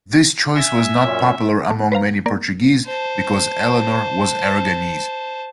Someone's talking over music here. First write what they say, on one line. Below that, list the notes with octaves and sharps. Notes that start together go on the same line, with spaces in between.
This choice was not popular among many Portuguese, because Eleanor was Aragonese.
E5 G#5
F#2 A#2 C#4
A3
B4 C5 F5 A#5
A#3 A#4 D5
C5 A5